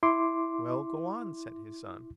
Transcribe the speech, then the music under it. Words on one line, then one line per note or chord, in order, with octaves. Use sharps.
"Well, go on!" said his son.
E4 C6 D6